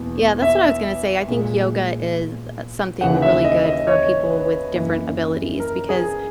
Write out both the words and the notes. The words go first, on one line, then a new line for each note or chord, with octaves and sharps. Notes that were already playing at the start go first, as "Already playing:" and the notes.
Yeah, that's what I was gonna say, I think yoga is, uh, something really good for people with different abilities because
Already playing: E2 B2 A#3
E5
A#2 G#3
D#2 C#3 E3 F#5
E5
D#5
D#5
C#5
B4
F#2 E3 A#3
A#4
G#4